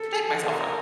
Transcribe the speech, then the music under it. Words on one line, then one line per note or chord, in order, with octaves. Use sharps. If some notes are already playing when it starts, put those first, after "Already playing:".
protect myself from.
Already playing: A4
A#4